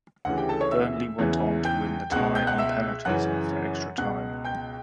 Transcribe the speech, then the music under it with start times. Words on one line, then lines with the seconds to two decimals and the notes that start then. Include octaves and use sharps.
Burnley went on to win the tie on penalties after extra time.
0.25 D2 C#3 E3 F#5
0.37 G4 G5
0.49 A4 A5
0.60 C#5 C#6
0.72 E5 E6
1.18 E2 C#3 E3
1.65 G5 G6
2.11 C#2 B2 F#5 F#6
2.35 G5 G6
2.47 F#5 F#6
2.58 E5 E6
3.05 F#2 C#3 E3 F#5 F#6
3.98 C#2 B2 F#5 F#6
4.45 G5 G6